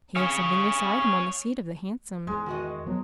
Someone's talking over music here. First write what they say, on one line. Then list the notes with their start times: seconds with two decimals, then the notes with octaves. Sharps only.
"He has something beside him on the seat of the hansom."
0.16 C#5 F5
2.27 E2 G#2 G#3
2.46 D#3 F#4 D#5
2.87 F3 F#3 B3